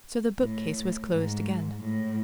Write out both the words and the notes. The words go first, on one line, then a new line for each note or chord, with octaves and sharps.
So the bookcase was closed again.
A2
G#2
A2